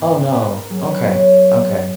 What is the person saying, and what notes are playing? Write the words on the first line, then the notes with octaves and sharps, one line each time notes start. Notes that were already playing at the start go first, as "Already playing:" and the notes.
Oh, no. Okay, okay.
Already playing: G#2 B3
B3 B4
A#4
F#3 G#4
B4
B3 C#5